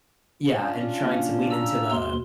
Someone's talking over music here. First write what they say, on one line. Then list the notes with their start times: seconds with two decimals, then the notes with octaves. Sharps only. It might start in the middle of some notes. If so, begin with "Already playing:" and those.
Yeah, and trying to lean into the
0.57 C#4 D4 F4
1.00 A#3
1.51 A#5 E6
1.92 D#2 B2 C6